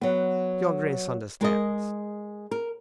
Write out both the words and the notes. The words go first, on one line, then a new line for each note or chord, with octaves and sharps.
"Your Grace understands."
F#3 B3
G#3 A#4 D#5
A#4